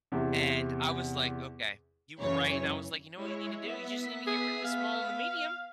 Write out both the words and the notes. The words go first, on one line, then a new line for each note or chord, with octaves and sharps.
and I was, like, "Okay, you were right." And I was, like, "You know what you need to do? You just need to get rid of the small and the medium.
E2 C3
F#2 C#3 E3 C#5
G#3 E4 C#5
B3 E5 B6
G#4
F5